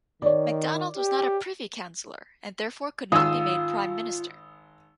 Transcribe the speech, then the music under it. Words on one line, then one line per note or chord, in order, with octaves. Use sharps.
MacDonald was not a Privy Councillor, and therefore could not be made Prime Minister.
D#3 C#5 D5
G4
G#1 F4 D#6 E6